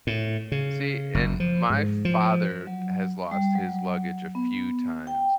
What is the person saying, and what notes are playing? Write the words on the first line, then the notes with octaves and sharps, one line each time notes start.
See? And my father has lost his luggage a few times,
A2
C#3
F#1
F3
G#2
F3
F#3
G3
F#3
B3
G5